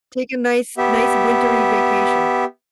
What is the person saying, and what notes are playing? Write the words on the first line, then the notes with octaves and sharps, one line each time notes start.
Take a nice nice wintery vacation.
B3 G4 E5